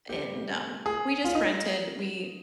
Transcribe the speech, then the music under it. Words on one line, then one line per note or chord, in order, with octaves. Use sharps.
and, um, we just rented we
G4
G#4
F4
D#4